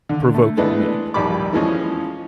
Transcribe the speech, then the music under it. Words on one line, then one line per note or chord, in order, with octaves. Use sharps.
provoking me.
D3
A3
E3 G#3 A3 B3 D4 B4
A#1 D#2 G3 B5 D6
E3 F3 G#3 C#4